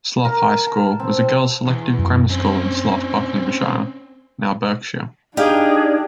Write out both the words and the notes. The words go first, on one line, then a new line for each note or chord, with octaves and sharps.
Slough High School was a girls selective grammar school in Slough, Buckinghamshire, now Berkshire.
A#4
A5
C4
E2
F#2
C4 C#4
D4 D#4 G4 G#4 F5